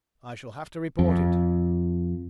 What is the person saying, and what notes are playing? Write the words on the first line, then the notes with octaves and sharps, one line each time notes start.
"I shall have to report it."
F2